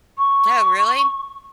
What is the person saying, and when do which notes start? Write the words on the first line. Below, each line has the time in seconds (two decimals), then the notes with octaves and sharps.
Oh, really?
0.18 C#6